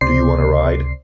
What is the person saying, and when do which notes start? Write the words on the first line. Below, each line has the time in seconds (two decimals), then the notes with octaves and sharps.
Do You Wanna Ride?
0.01 C#2 C3 C5 D5 C7